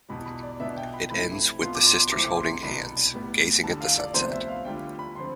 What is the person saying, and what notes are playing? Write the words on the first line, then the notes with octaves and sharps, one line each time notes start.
It ends with the sisters holding hands, gazing at the sunset.
E2 B2 G3 B5
B5
D5
B2 B3 D4 E5
G5
B5
C3 F3 A3 E4 B5
B2 B3 F4 C6
D6
C6
C6
C3 F3 A3 C4 E4 D6
C6
C2 B2 G3 D4 B5
A2 G3 B3
E2 D3 G3 A5
F5
D5
D2 C3 F3 B3 C5
E5
F5
D2 D3 G3 D4 F4 G5
B5
D3 F3 C4 C6